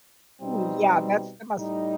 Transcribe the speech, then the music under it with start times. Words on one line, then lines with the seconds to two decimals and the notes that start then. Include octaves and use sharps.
"Ooh, yeah, that's the muscle."
0.41 B2 G3 C4 D#4
1.55 A2 G3 D#4